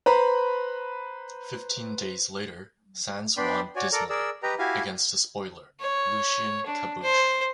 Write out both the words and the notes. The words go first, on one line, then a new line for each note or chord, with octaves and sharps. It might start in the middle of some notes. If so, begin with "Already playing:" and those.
Fifteen days later Sands won, dismally, against a spoiler, Lucien Caboche.
B4 C5 A#5 B5
B3 D4 D5 G5 B5 C6
F#4 C#5 D5 G#5
A4 A#4 D5 A#5
G#4 A#4 D5 E6
G4 B4 D#5 G5 A#5
E4 F#4 G4 F5 G#5
C#5
D4
C5